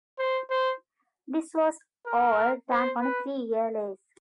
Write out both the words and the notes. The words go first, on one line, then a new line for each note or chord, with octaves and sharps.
This was all done on a three-year lease.
C5
C5
A#4
C5
B4